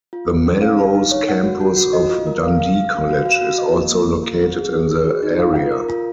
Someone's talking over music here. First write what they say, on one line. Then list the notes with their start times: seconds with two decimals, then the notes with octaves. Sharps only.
The Melrose Campus of Dundee College is also located in the area.
0.13 F4
0.30 F4
0.46 C#4
0.62 F5
0.79 F5
0.95 D#4
1.11 C#5
1.29 F#5
1.44 F#4
1.61 F#4
1.77 F#4
1.93 D#5
2.10 F4
2.26 A#4
2.43 F5
2.60 F5
2.76 F5
2.92 F5
3.09 F#4
3.26 F5
3.41 F#4
3.58 D#5
3.75 A#3
3.91 A#3
4.07 A#4
4.23 F4
4.41 C4
4.57 G#4
4.73 G#4
4.90 G#4
5.06 F#4
5.23 D#4
5.39 F5
5.56 F4
5.72 A#4
5.89 F4